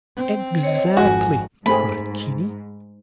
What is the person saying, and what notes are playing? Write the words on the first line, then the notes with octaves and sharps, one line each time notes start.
"Exactly!" cried Kinney.
C4
C#5 D#5
G#1 F2 F#4 G#5
G#2 A3 C4 G#4 B5